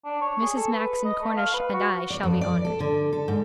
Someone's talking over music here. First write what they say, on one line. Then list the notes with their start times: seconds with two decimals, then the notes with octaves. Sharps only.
Mrs. Max and Cornish and I shall be honored.'
0.05 D4
0.21 C#5
0.42 G#4
0.56 A4
0.72 B4
1.05 D#5
1.21 A3
1.37 F5
1.54 B4
1.73 F#4
2.10 D5
2.23 F2
2.41 D5
2.65 A4
2.80 D3
3.13 A4
3.28 G#2